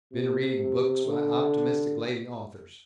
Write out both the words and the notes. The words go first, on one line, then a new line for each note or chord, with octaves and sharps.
Been reading books by optimistic lady authors.
C3
C3
D3